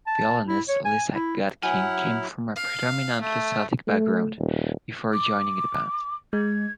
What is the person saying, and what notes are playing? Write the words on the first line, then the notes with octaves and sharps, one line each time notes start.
Violinist Lisa Gutkin came from a predominantly Celtic background before joining the band.
A5
E4
C#5
G#5
E4
F#3 E4 F#5 G#5 F6
F5
A3
A3
D#1
D6
G#3 G#6